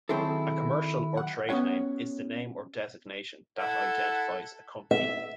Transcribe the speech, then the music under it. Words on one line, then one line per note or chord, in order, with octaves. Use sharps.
A commercial or trade name is the name or designation that identifies a company.
D#3 F#3 C4 E4 G#4 A4
F#5
B3 C#4 G4 C#5 F#5
E4 A4 F#5
E5